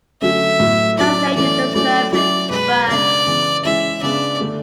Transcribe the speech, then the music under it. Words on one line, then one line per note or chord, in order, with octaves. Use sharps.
Not saying you deserve it, but...
D3 F#3 A3 C#4 E5
A2 F#3 B3 E4
F#3 C#4 E4 D5
E3 A3 C#4 E4 D5
F#3 A3 C#4 E4 D5
F#3 C#4 E4 D5
B2 G#3 B3 B4
C#3 G#3 B3 D4 D5
C#3 E3 B3
E3 G#3 C#4 E4 E5
C#3 G#3 B3 D4 D5
D3 A3 D4